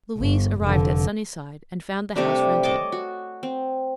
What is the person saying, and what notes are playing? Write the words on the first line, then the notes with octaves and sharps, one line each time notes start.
Louise arrived at Sunnyside and found the house rented.
G1
F1 D3
C3 G3 A3 D4
C#5 D#5 A5 D6
F#4
C4